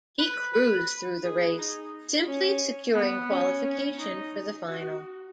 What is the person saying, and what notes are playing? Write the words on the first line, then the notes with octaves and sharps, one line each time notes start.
He cruised through the race, simply securing qualification for the final.
B4
B4
G#4
D#4
C#4
B3
C#4
C#4
D#4
F#4